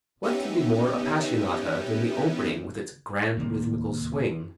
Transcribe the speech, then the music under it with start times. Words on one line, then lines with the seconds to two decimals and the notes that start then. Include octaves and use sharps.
What can be more "appassionata" than the opening with its "grand rhythmical swing"?
0.23 B3 C#4 D#4 G4 E5
3.37 D1 D#2 C3 A#3